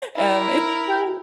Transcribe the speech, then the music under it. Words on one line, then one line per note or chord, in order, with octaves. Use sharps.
Um, it's, um,
E4 A#4